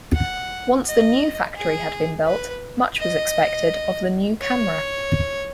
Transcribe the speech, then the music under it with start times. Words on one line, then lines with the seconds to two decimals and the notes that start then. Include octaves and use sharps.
Once the new factory had been built, much was expected of the new camera.
0.14 F#5
0.86 D#5
1.56 G#4
2.27 B4
2.99 D#5
4.41 C#5